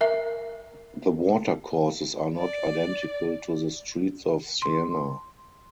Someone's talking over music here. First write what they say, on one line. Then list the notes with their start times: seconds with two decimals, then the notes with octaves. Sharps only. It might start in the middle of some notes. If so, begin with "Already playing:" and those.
The watercourses are not identical to the streets of Siena.
0.01 A#4 E5
2.38 D5
4.62 C6